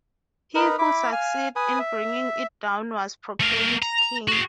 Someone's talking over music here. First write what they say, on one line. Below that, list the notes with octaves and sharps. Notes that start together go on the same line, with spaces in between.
He who succeeded in bringing it down was proclaimed King.
D#4 A#4 B4
E4 B5 D6
F5 G#5
B4 G#5 D#6
E5
A3 A#4
A#5
F#4 G#4